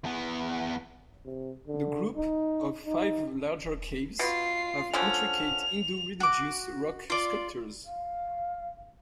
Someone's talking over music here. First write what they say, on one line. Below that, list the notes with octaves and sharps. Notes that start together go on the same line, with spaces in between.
The group of five larger caves have intricate Hindu religious rock sculptures.
E2 B3
C3
D3
D#4
D#4
B2 F4 C7
D3 F3 C#4 F7
F#4 D6
F4 D5
F5